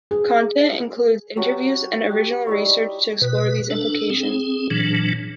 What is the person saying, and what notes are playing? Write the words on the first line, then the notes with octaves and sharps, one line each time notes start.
Content includes interviews and original research to explore these implications.
G#4
F#3 G4 A#4
G4
G3 D#4 E4 C#5
B2 B4
D4 A4
C4 G#4
A#2 E3 F#3 D4